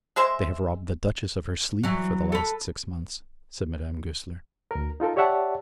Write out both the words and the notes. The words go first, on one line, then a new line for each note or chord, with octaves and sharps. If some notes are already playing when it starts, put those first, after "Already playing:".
"They have robbed the Duchess of her sleep for the last six months," said Madame Goesler.
G#3 G#4 C5 E5
E3 F#3
A4 B4
D2 A#4
D#4 F4 A4 A#4
G4 C#5 D5 E5 F#5 A5